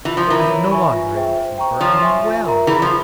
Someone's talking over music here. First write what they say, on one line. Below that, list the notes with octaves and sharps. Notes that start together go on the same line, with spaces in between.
I have no longer any fever; I am well.
E3 F4
F3
E3 A#4 E5 A#5
C#5
E5 G#5 C#6
F4
G#4 C5 E5 G5
C5
G5 A#5 C#6
F3 C#5
E5 G#5 C#6
F4
A#4 E5 A#5
E3 G#4
F3